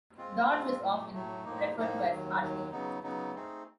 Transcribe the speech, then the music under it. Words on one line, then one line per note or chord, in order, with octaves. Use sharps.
Dodge was often referred to as Hartley.
G#3 C4 F4
G#3 C4 F4
A2 F#3 A3
A2 F#3 A3
A2 F3 A#3 D#4
A2 F3 A#3 D#4
D#2 D#3 F#3
D#2 D#3 F#3
C#3 F#3 B3 D#4
C#3 F#3 B3 D#4
A3 C4 D#4 G#4